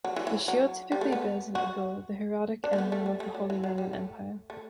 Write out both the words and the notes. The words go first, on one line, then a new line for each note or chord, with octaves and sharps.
The shield typically bears an eagle, the heraldic emblem of the Holy Roman Empire.
F#3
E3
E3
F#3
G3
A3
B3
F#4
D4
A3
B3
A3
G3
A3
F#3
E3
F#3
G3
A3
A3